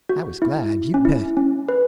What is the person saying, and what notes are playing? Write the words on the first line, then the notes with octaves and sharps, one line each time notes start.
I was glad, you bet.
F#4
E4
C#4
E4
C#4
B4